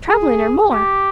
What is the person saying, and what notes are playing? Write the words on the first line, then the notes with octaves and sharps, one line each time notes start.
Trebling, or more.
G#4
G4